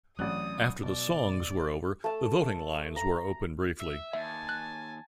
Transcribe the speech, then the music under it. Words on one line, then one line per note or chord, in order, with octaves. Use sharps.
After the songs were over, the voting lines were open briefly.
A1 F#3 C4 C#4 D5 D#6 F#6
B2 D5
A3 A5
A#5
E5
D#2 E5 G#5 A5
F#6